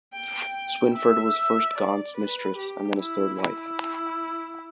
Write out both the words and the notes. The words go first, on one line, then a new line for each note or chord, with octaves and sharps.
Swynford was first Gaunt's mistress, and then his third wife.
G5
E5
D5
B4
G4
E4
E4